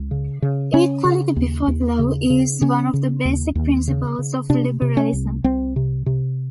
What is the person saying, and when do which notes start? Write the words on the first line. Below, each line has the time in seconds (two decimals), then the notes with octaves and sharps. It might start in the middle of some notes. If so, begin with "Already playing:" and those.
Equality before the law is one of the basic principles of liberalism.
Already playing: C#2
0.11 C#3
0.42 C#3
0.73 C#3 C#4
1.05 C#3
1.36 D#2
1.68 D#2
1.99 C#3
2.30 C#3
2.61 C#3 C#4
2.94 C#3
3.25 D#2
3.55 D#2
3.88 C#3
4.19 C#3
4.50 C3 D4
4.82 C3
4.97 C#4
5.13 C2
5.44 C2 C4
5.76 C3
6.06 C3